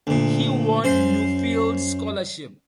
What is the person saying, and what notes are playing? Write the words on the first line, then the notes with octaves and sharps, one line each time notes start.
He won a Nuffield Scholarship.
D2 A#2
F#2 C5 C6